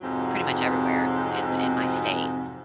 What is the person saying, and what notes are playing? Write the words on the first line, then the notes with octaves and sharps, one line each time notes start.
pretty much everywhere in in my state.
F2 G#2 C3 F#3